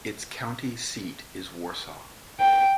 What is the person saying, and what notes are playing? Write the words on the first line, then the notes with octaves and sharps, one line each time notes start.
Its county seat is Warsaw.
G5